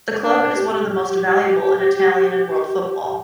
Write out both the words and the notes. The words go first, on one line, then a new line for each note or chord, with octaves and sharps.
The club is one of the most valuable in Italian and world football.
D4
G4